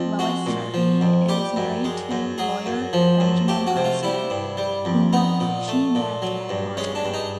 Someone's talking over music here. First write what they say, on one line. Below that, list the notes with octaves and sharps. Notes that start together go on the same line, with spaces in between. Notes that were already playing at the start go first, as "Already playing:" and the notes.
Lois Murphy is married to lawyer Benjamin Eisner, whom she met at Harvard.
Already playing: F2
G#3 F#4
A#2
F3
F2
G3 G4
F#2
G#3
F#2
F#3 G#4
F#2
F3
F#2
A3 G4
F#4
C3
F4
G3 E4
G2
G3
F2
B3 D#4
A#2
A3
A#2
F#3
G2
G#3 C#4
D4
G2
D#4